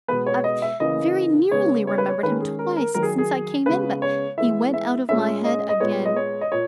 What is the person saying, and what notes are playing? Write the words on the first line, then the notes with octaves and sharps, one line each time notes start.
I've very nearly remembered him, twice, since I came in; but he went out of my head again.
B2 G#3 B3 B4
C#5
D#5
E5
C#3 E3 A#3 D#5
C#3 G#3 B3 C#5
C#5
B4
C#5
D#3 G#3 C#4 B4
G#4
A#4
A#4
D#3 F#3 A#3 A#4
G#4
G#4
C#3 G#3 B3 B4
C#5
E3 G#3 B3 E5
E5
A#2 G#3 C#4 E5
D#5
D#5
A#2 G#3 B3 C#5
D#5
C#5
D#5
A#2 C#5